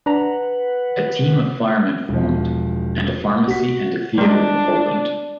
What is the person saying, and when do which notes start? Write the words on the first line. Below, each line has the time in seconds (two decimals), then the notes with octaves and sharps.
A team of firemen formed, and a pharmacy and a theater were opened.
0.06 D4 B4 F#5 A#5
2.09 E1 F3
3.48 F#4 B6
4.18 G3 G#3 D4